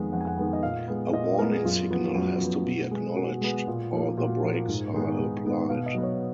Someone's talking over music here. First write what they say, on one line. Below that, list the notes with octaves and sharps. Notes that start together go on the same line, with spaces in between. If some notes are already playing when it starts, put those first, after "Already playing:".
A warning signal has to be acknowledged or the brakes are applied.
Already playing: F2 D#3 G#3 B3
F2 F#5
G#5
F#5
D#3 G#3 B3
D#5
A#2 F5
G#3 B3
A#2 D#5
G#3 B3 A#4
G#4
F#2 F4
F3 B3
F#2 F#4
F3 B3
B2
G#3 B3
B2 F#4
G#3 B3
A#2
F3 A#3
A#2 F#4
F3 A#3
G#2
D#3 G#3 B3
G#2
D#3 G#3 B3
B2 F5
D#5
F#3 B3
C#5